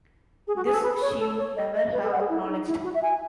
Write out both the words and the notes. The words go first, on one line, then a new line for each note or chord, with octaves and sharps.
This she would never have acknowledged.
G#4
F#4
G#4
A4
B4
C#5
A4
C#5
D#5
D#5
B4
A4
F#5
G#4
E4
D#4
E4
F#4
E5
G#5